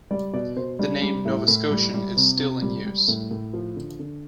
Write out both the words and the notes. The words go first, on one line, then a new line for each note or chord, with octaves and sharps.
The name "Novascotian" is still in use.
G3 D5
B2 D5
B2 C5
G3 D4
G3
A2 E4
A2
G3
G3
C3
C3
G3
G3
A2
A2
F3
D3
D3